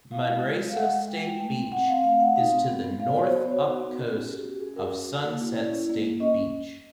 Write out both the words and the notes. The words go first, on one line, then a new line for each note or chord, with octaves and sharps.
Manresa State Beach is to the north-upcoast of Sunset State Beach.
E4 F5
G#3
G#3
G#3
F5
G#3 F#5
G#3
G#3 G5
G#3 G5
A3 G5
C4
C4 F#5
C4 F5
A3 F5
A3 F#5
D#4 F5
C4
B3
B3
B3 F5
D5
F#4 C#5
C5
B3 C#5
B3 C5
D#4 F#4
B3
C#4
F#4
G#4
C#4 G4
F#4
G4
C#4 G#4
C#4 A#4
F#4
F#4
A#3
E4
C#4 D5
E4
A#3
A#3
C#4 D#5